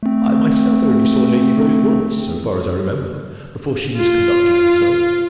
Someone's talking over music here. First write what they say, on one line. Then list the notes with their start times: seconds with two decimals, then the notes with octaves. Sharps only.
I myself only saw Lady Rose once, so far as I remember, before she misconducted herself.
0.03 A3 C4
3.97 F4